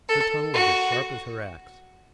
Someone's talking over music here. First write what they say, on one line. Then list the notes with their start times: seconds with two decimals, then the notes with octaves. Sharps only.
Her tongue was as sharp as her axe.
0.09 A4
0.54 F#4